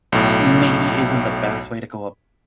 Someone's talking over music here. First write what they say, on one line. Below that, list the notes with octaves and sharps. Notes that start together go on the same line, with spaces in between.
maybe isn't the best way to go
B1 A2